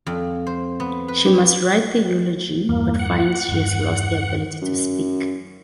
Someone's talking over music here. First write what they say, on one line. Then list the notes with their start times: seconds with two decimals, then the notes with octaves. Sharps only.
She must write the eulogy but finds she has lost the ability to speak.
0.06 F2
0.47 C5
0.80 B3
1.08 B4
1.25 G4
2.69 E2 G2 A#3
2.99 F#5
3.49 E1 G2
4.62 F#2